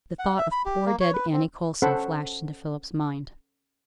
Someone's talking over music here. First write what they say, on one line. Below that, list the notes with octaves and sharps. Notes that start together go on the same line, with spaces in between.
The thought of poor dead Annie Coulson flashed into Philip's mind.
F#5
E5
B5
G4
A#3
C#5
B4
C4
C#4 A4 C5 F#5 B5